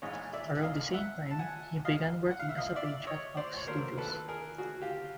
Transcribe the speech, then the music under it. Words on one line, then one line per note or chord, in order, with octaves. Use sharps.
Around the same time, he began working as a page at Fox Studios.
A#1 G#2 E3 G#3 C#5 D#5
D5 E5
D#5 F5
E5 F#5
A5
F#5 G#5
D#5 F5
F#5
F5
E5
D#5 F5
D5 E5
C#5 D#5
C5 D5
C#5
D#2 D3 F#3 A#4 C5
A4 B4
G#4 A#4
F#4 G#4
F4 G4